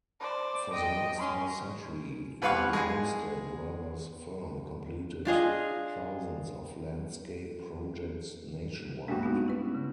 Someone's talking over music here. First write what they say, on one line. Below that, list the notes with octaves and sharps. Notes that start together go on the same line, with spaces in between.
For the next half-century, the Olmsted brothers' firm completed thousands of landscape projects nationwide.
C5 D5
D#5 G5
C#4 C6
C2 B4 F5 F#5 C#6
G#3 G#5
D4 F4 G#4 D#5
G2 G#3 A#3 D4 F#4
B3 D#4
C#4 E4 B4
C#3